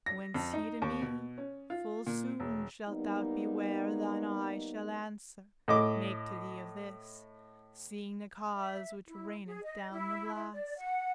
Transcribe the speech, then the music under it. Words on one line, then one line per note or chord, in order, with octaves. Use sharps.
Whence he to me: "Full soon shalt thou be where Thine eye shall answer make to thee of this, Seeing the cause which raineth down the blast."
A#6
F2
D#4
D#2
B2
C#4
F4
A#2
E1
G3 A#3 B3 D#4
A2 D#5 D6
E5
E4
G#4
D#5
E4
E4
D5
F#5